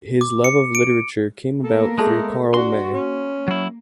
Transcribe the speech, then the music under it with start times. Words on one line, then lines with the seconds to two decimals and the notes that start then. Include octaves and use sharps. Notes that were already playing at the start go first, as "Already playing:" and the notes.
His love of literature came about through Karl May.
0.21 D6
0.44 C#7
0.75 D7
1.64 A#3 B3 A4 A#4
1.99 G#3 A3 G#4 A4 A5
2.54 D4 F#4 C6
2.93 A#3 C#4
3.48 F#3 E4